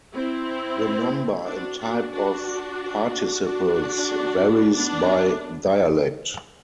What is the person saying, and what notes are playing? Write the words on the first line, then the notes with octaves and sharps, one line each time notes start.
The number and type of participles varies by dialect.
C4 E4
D4 F#4
D4 F#4
D4 F#4
D4 F#4
B3 D4